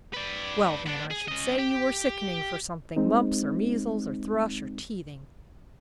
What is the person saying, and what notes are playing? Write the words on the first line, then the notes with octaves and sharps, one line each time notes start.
Well, then, I should say you were sickening for something--mumps or measles or thrush or teething.
B4 D5
B3 D4
G#4
C#4 D#5
G4
G#3 C4 D#4